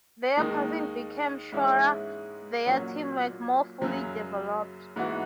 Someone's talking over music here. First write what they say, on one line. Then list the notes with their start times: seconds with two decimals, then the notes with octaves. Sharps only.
Their passing became surer, their teamwork more fully developed.
0.37 D#2 D#3 G#3 D#4
1.52 G#2 E3 G#3 C#4 E4
2.66 A#2 F#3 C#4 F#4
3.81 F#2 C#3 F#3
4.96 G#2 E3 B3 F#4